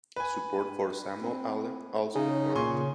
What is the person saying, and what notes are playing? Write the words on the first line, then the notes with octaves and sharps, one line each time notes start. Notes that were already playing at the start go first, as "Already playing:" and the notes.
Support for Samuel Allen also declined.
B4 G#5
C4
C#3 D#4
A#2 G#5 C6 C#6